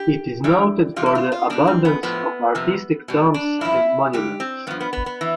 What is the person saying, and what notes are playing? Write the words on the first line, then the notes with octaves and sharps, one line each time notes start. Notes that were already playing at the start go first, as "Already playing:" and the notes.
It is noted for the abundance of artistic tombs and monuments.
Already playing: G4
G2 E3 G3
E2 B2 G3 F4
E4
F4
F4
B2 G3 D4
C4
B3
A2 F3 B3
F2 C3 F3
B2 G3
D4
G2 F3 E4
G2 D3 G3 G4
C4
G2 F3 B3
B3
B3
B3
E3